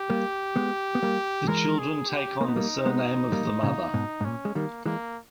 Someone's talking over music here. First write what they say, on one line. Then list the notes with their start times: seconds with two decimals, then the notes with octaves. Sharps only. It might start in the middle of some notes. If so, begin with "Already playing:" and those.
The children take on the surname of the mother.
Already playing: G4
0.10 G3 A#3
0.56 G#3 B3
0.95 B3
1.03 G3 A#3
1.48 E3 G#3 A#4
1.79 G#4
2.09 G4
2.40 A#3 D#4
2.48 B3
2.56 G3 A#3
2.86 G#3 B3
3.32 G3 A#3
3.63 A#2 C#3
3.94 G#2 B2
4.21 G#2
4.25 A#2 C#4
4.45 G#3
4.55 D#3 G3 A#3
4.86 E3 G#3 A#3